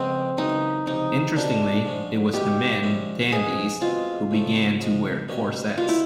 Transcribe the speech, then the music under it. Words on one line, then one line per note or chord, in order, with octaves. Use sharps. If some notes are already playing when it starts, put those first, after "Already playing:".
Interestingly, it was the men, Dandies, who began to wear corsets.
Already playing: F2 C#3 F3 G#3 B3 C4
F#2 C#3 E3 G#3 D#4
C#2 C3 F3 D#4
C2 B2 G3 A#3 D4
G#2 F3 G#3 C#4
E2 B2 G#3 C#4 E4 G4
A#2 F3 G#3 C#4 E4
G#2 F3 G#3 B3 G#4
E2 B2 G#3 C4 F4
F2 C#3 F3 A3
C#3 F3 G#3
C2 B2 G3 A#3 C#4
B2 G3 A#3 F4
E4